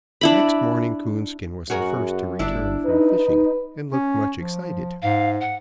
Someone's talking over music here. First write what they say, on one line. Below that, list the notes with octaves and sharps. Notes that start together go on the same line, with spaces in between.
Next morning, Coonskin was the first to return from fishing, and looked much excited.
D4 E4 B5
F#2 F#4 G#4 A#4
G1 D4 E4
D#4 B4
C#4
F3
G#2 F5
F#5